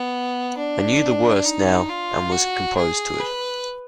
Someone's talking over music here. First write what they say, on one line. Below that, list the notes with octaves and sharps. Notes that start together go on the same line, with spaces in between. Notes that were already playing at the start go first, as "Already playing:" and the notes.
I knew the worst now and was composed to it.
Already playing: B3
D4
D#4
F4
F#4
G#4
B4